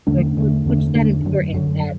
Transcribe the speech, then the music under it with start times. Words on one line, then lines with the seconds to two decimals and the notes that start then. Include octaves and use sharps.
Like, wh what's that important that
0.07 E2 D3 A3 D4
0.37 E2 D3 A3 D4
0.66 E2 D3 A3 D4
0.94 E2 D3 A3 D4
1.25 F#2 D3 F#3
1.53 F#2 D3 F#3